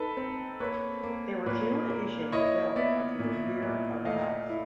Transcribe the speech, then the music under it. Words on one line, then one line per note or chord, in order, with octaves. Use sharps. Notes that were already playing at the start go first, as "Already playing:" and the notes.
There were two additions built onto the rear of the house.
Already playing: D#4 A4 B4
C4
A#3 B4 C#5
A#3
A#2 B4 C#5
A#3
E4 C#5 D#5
B3 D5 E5
A#2
A#2
A3 D#5 F5
E4